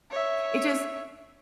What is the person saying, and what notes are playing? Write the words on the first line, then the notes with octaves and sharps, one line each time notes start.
it just
C#5 E5